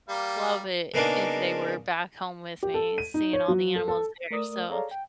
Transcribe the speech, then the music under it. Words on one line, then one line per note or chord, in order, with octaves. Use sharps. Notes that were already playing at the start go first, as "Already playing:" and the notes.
love it if they were back home with me, seeing all the animals there." So,
G3 A#3 F5
C#3 A#3 B3 D4 D#4
G4
A4
D#7
D#4
C#5
F#3
A4
A4
A3 A#4 D5 D#6
G#4 A4 C#5 D5 F5 A#5
G5